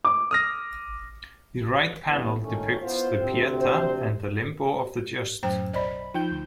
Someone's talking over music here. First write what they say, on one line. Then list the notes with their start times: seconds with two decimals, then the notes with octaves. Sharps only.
The right panel depicts the Pietà and the Limbo of the Just.
0.05 D6
0.31 D#6 F6 A#6
2.06 G2 E3 B3
2.41 D#3 A3 C#4
2.81 B3 E4 F4 C5
3.18 D2 C3 C4
3.59 C5
5.43 F#2 A2 C5 G5 A#5
5.73 B1 C5 D5 D#5 B5
6.14 F3 D#4 G5 G6
6.31 D2